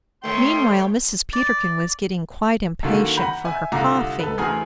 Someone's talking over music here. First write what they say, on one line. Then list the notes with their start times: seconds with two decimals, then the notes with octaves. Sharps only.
Meanwhile Mrs. Peterkin was getting quite impatient for her coffee.
0.23 B2 D#3 A3 C#5 G5 C6
1.33 D5
2.83 F#2 D3 D#3 A#3
3.17 F#5 A#5 B5 G6
3.45 E5 G#5
3.72 C2 D3 F4 A#5 D6
4.19 A4 B4
4.38 D2 E3 G#4 G#5 A#5 F6